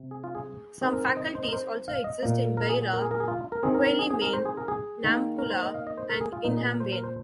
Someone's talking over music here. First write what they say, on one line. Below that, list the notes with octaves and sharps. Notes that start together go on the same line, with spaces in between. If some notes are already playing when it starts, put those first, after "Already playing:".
Some faculties also exist in Beira, Quelimane, Nampula and Inhambane.
Already playing: C3
G#4
F4
G#4
D#3 C4 G#4
A#4
C5
D#5
D#5
C5
D#5
A#4
C5
F5
D#5
A#2 A#3
A#4
G#4
A#4
G#4
A#4
G#4
F4
A#4
D#3 C4 G#4
A#4
A#4
G#4
G#4
A#4
C5
G#4
A#4
G#4
D#3 A#3
A#4
C5
D#5
F5
D#5
C5
A#4
G#4
F4
A#2 A#3 D#4
G#4
A#4
C5
A#4
C5